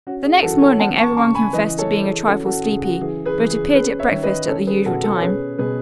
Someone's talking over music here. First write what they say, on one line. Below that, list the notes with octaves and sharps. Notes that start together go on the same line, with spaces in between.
The next morning every one confessed to being a trifle sleepy, but appeared at breakfast at the usual time.
C#4 F#4
G#4
E3 F#4 A4
A4 C#5
B3 F#5 A5
A5 C#6
C#3 A5 C#6
G#5 B5
E3 B4 D#5
A4 C#5
E3
G#4
C#4 F#4 A4
F#4 A4
C#3 G#4
F#4
E3 G#4
G#4 B4
E3
G#4
C#4 G#4 B4
C#5 E5
D#3
B4 D#5
C#4 A4 C#5
G#4 B4
B2 F#4 A4
F#4 A4
C#5
C#4 G#4 B4
B2 G#4 B4